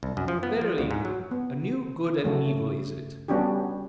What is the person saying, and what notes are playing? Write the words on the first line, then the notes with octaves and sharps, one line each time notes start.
Verily, a new good and evil is it!
C2
F#2
F3
B3
F3
D2
G#2
F#3
B3
C#3 F#3 A3
G3 B3 C#4 D4 F#4 G4